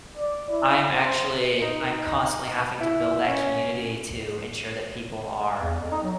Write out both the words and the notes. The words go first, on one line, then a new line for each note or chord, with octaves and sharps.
I'm actually I'm constantly having to build that community to ensure that people are
D5
E4
C5
D#4
E4
C#4
E2
F2
D#4
F#3